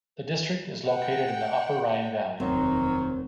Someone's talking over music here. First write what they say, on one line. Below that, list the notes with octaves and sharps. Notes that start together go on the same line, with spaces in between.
The district is located in the upper Rhine valley.
F#5 G5
F1 D#2 D#3 F#3 C4